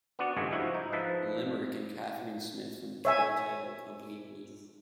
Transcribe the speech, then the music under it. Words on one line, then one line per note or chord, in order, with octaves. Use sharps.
Limerick, and Catherine Smith from Kiltale, Company Meath.
B3 D4 F#4 D5 F#5
G#1 C#2 G2 A3 D#5 G#5
G#2 F3 E4 F#4
D#4
G#2 F3 B4 E5 A5
C#5 E5 G#5